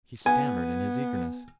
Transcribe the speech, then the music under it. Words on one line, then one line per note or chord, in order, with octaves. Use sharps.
He stammered in his eagerness.
B3 G#5